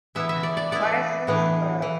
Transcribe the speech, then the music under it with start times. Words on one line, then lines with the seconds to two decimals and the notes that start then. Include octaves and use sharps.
ugh, classes, but
0.15 E3 B3 E4 E5
0.29 E5
0.43 D5
0.57 D5
0.71 E3 B3 E4 D5
1.27 A2 E3 B3 D4
1.82 E3